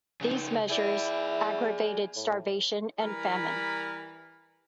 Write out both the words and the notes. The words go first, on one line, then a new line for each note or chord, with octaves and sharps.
These measures aggravated starvation and famine.
C#3 D#4
E4 G#4 D5
A2
E3 G3 A#4 A#5 B5